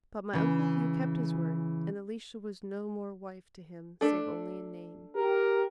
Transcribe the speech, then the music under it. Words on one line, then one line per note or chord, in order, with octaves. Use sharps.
But my Uncle Hugh kept his word, and Alicia was no more wife to him, save only in name.
C#3 E3
A3 D4 A4
G4 A#4